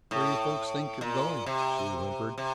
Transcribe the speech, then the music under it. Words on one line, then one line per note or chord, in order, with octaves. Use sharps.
"Where you folks think you're going?" she whimpered.
A2
A#2
C3
C3